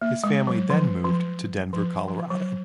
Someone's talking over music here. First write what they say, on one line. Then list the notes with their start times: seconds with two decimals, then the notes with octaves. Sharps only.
His family then moved to Denver, Colorado.
0.01 A#3
0.24 G#3
0.47 F#3
0.70 F3
1.04 F3
1.73 F3
2.08 F3
2.30 F#3